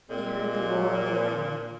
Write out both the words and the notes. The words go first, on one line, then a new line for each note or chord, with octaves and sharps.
He heard the roar of the lion.
A#2 G#3 A#3 C4